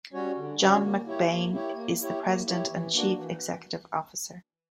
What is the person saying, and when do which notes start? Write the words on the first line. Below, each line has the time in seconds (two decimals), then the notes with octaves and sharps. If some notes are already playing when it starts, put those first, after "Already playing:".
John McBain is the President and Chief Executive Officer.
0.13 G3 C#4 F#4 C#5
0.37 D3
0.59 G3 C#4 F#4 C#5
0.83 A#3
1.06 E4 G4 C#5
1.30 A#3
1.53 E4 G4 C#5
1.76 A#3
2.00 E4 G4 C#5
2.24 A#3
2.46 E4 G4 C#5
2.70 E3
2.93 A#3 D4 F#4
3.17 E3